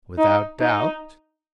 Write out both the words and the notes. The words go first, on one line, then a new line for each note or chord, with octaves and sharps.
"Without doubt."
D#4
D#4